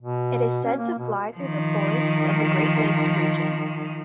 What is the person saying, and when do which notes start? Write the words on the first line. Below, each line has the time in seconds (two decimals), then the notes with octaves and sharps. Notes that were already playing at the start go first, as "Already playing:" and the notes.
It is said to fly through the forests of the Great Lakes region.
0.01 B2
0.64 C#4
0.78 A#3
0.99 B2
1.36 D#3 F3